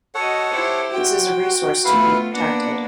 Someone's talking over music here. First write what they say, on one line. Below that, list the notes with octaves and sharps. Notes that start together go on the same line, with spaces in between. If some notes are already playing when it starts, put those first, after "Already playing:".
This is a resource to be protected.
F#4 A4 C#5 D#5 F#5
E4 G4 C5
F#4 C5 G5
A3 B3 E4 F4 B4 F5
A#3 B3 D4 F#5